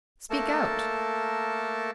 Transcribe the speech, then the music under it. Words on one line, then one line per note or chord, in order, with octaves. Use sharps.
"Speak out."
A3 A#3 A4 A#4 A5